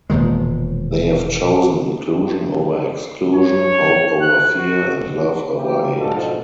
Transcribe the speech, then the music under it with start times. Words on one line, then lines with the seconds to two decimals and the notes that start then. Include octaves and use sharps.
They have chosen inclusion over exclusion, hope over fear and love over hate.
0.10 E1 A#2 D#3 G#3
3.35 C#5
4.22 F#6
4.57 F#4
5.58 C#3 E3 A#3 E4 G4
5.98 D2 G#2 B2 F3 D#4 A4